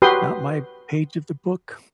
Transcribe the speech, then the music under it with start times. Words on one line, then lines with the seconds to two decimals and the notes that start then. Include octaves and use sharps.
not my page of the book.
0.02 F#4 G4 B4 G5 C6 D#6